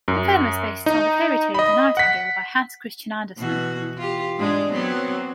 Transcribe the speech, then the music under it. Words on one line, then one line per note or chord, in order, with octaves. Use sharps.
The film is based on the fairy tale "The Nightingale" by Hans Christian Andersen.
F#2
D#4
D#5 B5
F#5 B6
B2 E3 F#4
F4 G4
G#2 G#3 D4
F#3 B3 C4